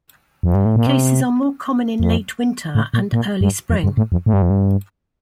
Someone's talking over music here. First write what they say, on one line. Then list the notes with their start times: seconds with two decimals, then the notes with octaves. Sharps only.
Cases are more common in late winter and early spring.
0.43 F2
0.55 G2
0.65 A2
0.76 A#2
0.87 C3
2.00 F2
2.75 A2
2.94 A#2
3.13 A#2
3.41 G2
3.70 F2
3.84 G2
3.97 A2
4.12 F2
4.26 A2
4.33 G2
4.42 F2
4.50 G2